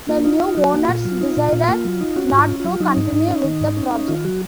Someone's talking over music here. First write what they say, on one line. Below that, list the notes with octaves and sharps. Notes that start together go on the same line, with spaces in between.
The new owners decided not to continue with the project.
A#3 F4
D#4 F4
D#4
F#3 F#4
A#3
A#2 F4
F#3
D#4
A#2
A#2
A#3
F#3
D#4
C#4 F#4
G#2
F4
C#4
F#3 F4
F#3 D#4
G#2
G#2
C#4
D#3
G#2
C#4
C#4
D#3 F4
F#3 F#4